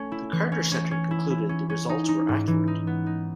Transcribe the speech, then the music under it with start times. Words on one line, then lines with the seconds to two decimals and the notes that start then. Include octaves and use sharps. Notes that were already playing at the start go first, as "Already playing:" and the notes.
The Carter Center concluded the results were accurate.
Already playing: A3 C#4
0.12 E4
0.32 E3
0.52 C#4
0.72 C#4
0.91 C#4
1.11 E4
1.30 E4
1.49 C#4
1.70 C#4
1.89 D#4
2.08 D#4
2.28 G#2
2.48 E3
2.67 D#4
2.87 B3
3.06 D#4